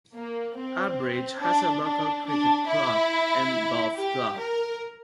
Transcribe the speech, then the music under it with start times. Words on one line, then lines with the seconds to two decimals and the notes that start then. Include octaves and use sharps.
Abridge has a local cricket club and golf club.
0.14 A#3
0.56 C4
1.41 D4
1.83 D4
2.26 D4
2.68 E4
3.95 G4
4.37 A#4